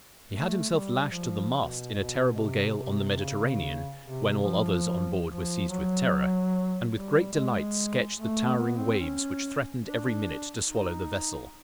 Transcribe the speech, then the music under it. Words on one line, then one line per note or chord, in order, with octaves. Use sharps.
He had himself lashed to the mast in a terrible gale on the Mediterranean when all others on board were seized with terror, and with great delight sketched the towering waves which threatened every minute to swallow the vessel.
A3
G3
F3
B2
B2
C3
C3
C#3
C3
F3
F3
F#3
G3
G#3
A3
B3
C4
C#4
D4
D#4